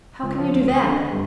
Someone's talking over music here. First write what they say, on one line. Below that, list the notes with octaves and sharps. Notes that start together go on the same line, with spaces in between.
"How can you do that?"
C#2
F3
D2
D#6
D3
D#5
G2